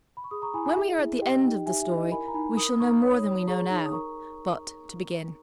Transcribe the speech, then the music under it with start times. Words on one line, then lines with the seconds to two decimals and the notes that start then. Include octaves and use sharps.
When we are at the end of the story, we shall know more than we know now: but to begin.
0.17 B5
0.24 C#6
0.31 G#4 B5 D#6
0.42 A#5 C#6
0.54 E4 G#5 B5
0.65 G#5 B5
0.76 G#4 E5
0.99 E4
1.22 G4 D#5 G5
1.44 D#4
1.66 G4 E5 G#5
1.82 E5
1.89 E4
1.96 D#5
2.12 A#4 G#5 B5
2.28 A#5
2.34 D#4 G#5 B5
2.57 A#4 B5 D#6
2.80 D#4 A#5 C#6
3.02 C#5 B5 D#6
3.25 C#5
3.47 G#4 A#5 C#6
3.70 D#4
3.85 D#6
3.93 A#4 A#5 C#6